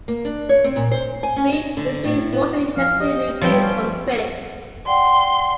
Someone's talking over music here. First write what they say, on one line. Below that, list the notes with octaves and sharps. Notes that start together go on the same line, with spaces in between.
"Sphere" received mostly negative reviews from critics.
A#3
D4
C#5
C4
A#2
C5
G#5
C#4
D#5
D3
A2
B3
F3 F5
G4 D#5
F3 G3 E4 B4 C#5 G5
C#4
D5 F#5 G5 C6